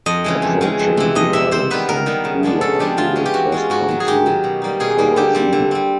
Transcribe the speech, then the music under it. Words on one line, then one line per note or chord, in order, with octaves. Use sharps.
Approaching the island from Pula, you will first come to Porozina.
F2 D#5
C#3 E3 G#3
F2
C#3 E3 G#3
F2
C3 E3
F2 D#5
C3 E3 E5
C3 C5
D#3 G3 B3 B4
C3 A#4
D#3 G3 B3
C#3
F3 G#3 B3 D4
C#3 A4
F3 G#3 B3 D4 G4
E3 F4
G#3 C#4 F4
G4
E3 F#4
G#3 C#4 F4
G#2 F#4
D#3 F#3
G#4
G#2 G4
D#3 F#3
B2
G3 A#3 D#4
B2 G#4
G3 A#3 D#4
D3 G4
G3 C4
D3
G3 C4